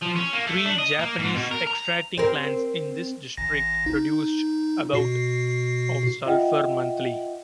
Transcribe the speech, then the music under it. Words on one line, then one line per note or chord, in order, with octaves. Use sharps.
Three Japanese extracting plants in this district produced about of sulfur monthly.
F3
C#4
A#3
A3
D4
D#5
A#3
G#2
B2
A#4
A#5
C4 A#4
A1 A#6
D#4
B2 F#4 C7
F4 D#5 E5 F#5 G5